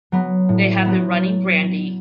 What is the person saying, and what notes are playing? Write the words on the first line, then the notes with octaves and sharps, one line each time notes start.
They had been running brandy.
F#3 B3
A2
F#3 B3